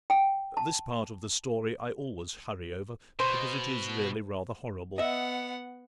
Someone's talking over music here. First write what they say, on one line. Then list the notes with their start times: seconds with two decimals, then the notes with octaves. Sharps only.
This part of the story I always hurry over, because it is really rather horrible.
0.10 G5
0.57 A5
3.20 B2 C5
4.98 B3 D#5 E5 F#5